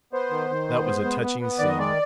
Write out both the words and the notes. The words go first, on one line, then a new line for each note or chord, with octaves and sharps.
That was a touching scene.
B3 C5
D#3
D#3
B3
G#3
B3
B3
B3
D#3 D5
D#5
G#3 D5